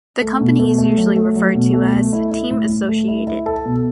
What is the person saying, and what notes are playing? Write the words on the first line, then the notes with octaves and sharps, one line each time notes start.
The company is usually referred to as Team Associated.
A3
B2
A3
A3
F#3
A3
F#3
B2
A3
A3
E4
E4
A2
A2
A3
E4
E4
A4
B2